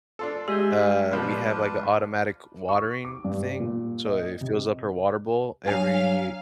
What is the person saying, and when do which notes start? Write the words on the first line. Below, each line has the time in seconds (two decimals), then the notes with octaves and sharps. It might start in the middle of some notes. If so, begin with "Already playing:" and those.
Uh, we have, like, a automatic watering thing. So it fills up her water bowl every
0.19 D4 F4 A4
0.48 G#3 G4 D#5 E5 G#5 G6
0.91 C#4
1.11 B2 F3 G3 D4 F4 B4
2.69 C#6
3.05 D6
3.24 G2
3.60 A#2
4.06 D#5
4.41 C3
5.66 F#3 D4 F5 G#5 F7